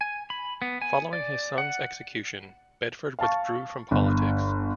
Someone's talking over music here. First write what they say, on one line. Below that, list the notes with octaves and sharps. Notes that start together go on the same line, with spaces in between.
Following his son's execution, Bedford withdrew from politics.
G#5
B5
B3
G#5
D5
F#5
F5 A5 C#6
G1